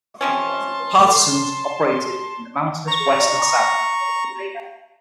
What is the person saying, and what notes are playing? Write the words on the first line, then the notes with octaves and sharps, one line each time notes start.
Partisans operated in the mountainous west and south.
C3 F3 C#4 A5 C6
A#5 C#6